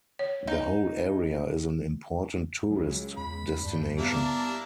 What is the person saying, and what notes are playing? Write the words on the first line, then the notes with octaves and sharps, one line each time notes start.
The whole area is an important tourist destination.
C#5
D#4
C#2 F#3 G#3
E2 B5
G2 D4 G6
A#3 B3 D4 E4 G4 A5